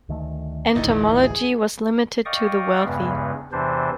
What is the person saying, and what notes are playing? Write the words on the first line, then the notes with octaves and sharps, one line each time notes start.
Entomology was limited to the wealthy.
D2 D#3 A3
E1 A1 D2 E3 A3 D#4
G#4
D5 D#5 F5 G5 C#6 D#6
E2 G2 C#3 G#3 B3
E2 C3 E3 D4 C5